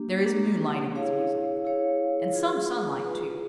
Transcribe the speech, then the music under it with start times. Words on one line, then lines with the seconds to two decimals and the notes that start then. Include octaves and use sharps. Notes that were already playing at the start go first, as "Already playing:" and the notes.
There is moonlight in this music, and some sunlight, too.
Already playing: A#3 D4 G4
0.26 A#3 D4 G4
0.95 E4 G#4 C#5 F5
1.64 E4 G#4 C#5 F5
2.33 F4 G#4 B4
3.03 F4 G#4 B4